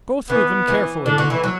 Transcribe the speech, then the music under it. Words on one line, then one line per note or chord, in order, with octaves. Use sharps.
Go through them carefully.
E3 B3
E3
D3 D4
D3 F#4
E3 E4
F#3 F#4